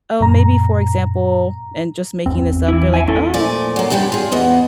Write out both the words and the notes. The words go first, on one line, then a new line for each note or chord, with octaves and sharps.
oh, maybe for example and just making this up, they're like, "Oh,
F#2 A#2 A#5
G#1 E2 C4
E3 E4
E5 G#5
C#4 E4 A4
A#2 F3 A3 D5 G#5
F#3 A#3
E2 G2 G3 G#3 G4
F4 G#4
E2 B3 D#5 F#5